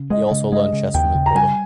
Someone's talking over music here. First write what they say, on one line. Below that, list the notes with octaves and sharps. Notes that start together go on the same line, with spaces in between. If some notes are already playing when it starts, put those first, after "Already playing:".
He also learned chess from his brother.
Already playing: C#3
G#3 D#5
C#3
G#3 D#5
C#3
D#2 G5
C#3
A#5
G3 G#5